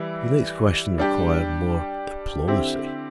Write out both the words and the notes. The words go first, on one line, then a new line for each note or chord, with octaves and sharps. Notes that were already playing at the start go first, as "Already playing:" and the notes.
The next question required more diplomacy.
Already playing: E3 G3 E4
G3 D4 G4
D3 C4 E4 G4